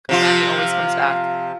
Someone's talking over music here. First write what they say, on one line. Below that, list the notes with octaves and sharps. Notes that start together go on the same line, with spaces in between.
money always comes back?
C3 F3 F4